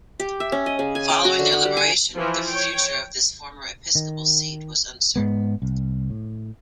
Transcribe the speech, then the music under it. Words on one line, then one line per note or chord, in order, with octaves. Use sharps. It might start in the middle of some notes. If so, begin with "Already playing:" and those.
Following their liberation, the future of this former episcopal seat was uncertain.
G4
E5
C#4
D#5
C#3
G#5
G5
F#4
D3
F#5
G3
G#5
E3 F3
C#5 G5
D#3
G#2 G#3 B3
C2
A2